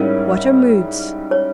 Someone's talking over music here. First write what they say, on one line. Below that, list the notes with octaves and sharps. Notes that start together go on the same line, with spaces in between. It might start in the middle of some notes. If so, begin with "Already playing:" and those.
What are moods?
Already playing: G#2 G3 C#4 E4 A#4 C#5
C#5